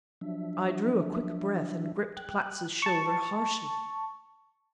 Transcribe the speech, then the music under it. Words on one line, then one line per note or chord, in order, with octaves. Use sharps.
I drew a quick breath and gripped Platts' shoulder harshly.
F3 F#3 D4 E5
G5 F#6
A5 C#6